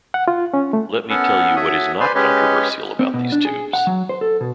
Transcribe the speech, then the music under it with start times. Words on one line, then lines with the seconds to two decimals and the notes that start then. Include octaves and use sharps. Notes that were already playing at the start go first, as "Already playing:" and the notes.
Let me tell you what is not controversial about these tubes.
0.14 F#5
0.28 F4
0.54 C#4
0.73 A3
1.10 B3 C#4 A4 F#5
1.56 F#4 A4 C#5 E5 D#6
2.00 B4 C5 D5 G#5 B5 C6
2.15 G#3 C#4 G4 B4 C#5 D#5
2.99 C4
3.14 B2
3.32 D4
3.45 G#4
3.73 F#5
3.87 F#3
4.09 C5
4.21 A4
4.41 B2